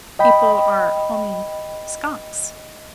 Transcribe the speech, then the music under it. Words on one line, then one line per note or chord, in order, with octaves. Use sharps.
people are homing skunks.
D#5 G5 B5